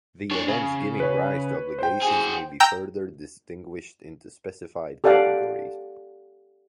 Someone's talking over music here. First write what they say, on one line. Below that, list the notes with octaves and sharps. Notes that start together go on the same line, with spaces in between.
The events giving rise to obligations may be further distinguished into specified categories.
D4 C#5
C#3
B4 C#5
C5 G5
F#4 G#4
G5 A#5 E6 G6
G4 A4 D5 F5 F#5